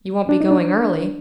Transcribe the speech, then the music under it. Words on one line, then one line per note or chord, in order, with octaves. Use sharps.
"You won't be going early."
D4
D#4
D4